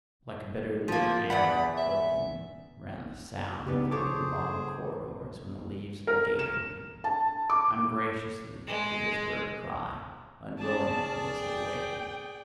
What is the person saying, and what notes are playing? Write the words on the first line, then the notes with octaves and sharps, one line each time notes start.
Like a bitterly angry croaking ran the sound through the long corridors when the leaves of the gate opened: ungraciously did this bird cry, unwillingly was it awakened.
F3 A#3
E2 D5 F#5 B5
E5
G#2 C#3 B3 D4 G4
G#4 A4 C5 C#5 D6
A#4
E7
A5
D6
G#3
C#4 G#4 D5 A5
G5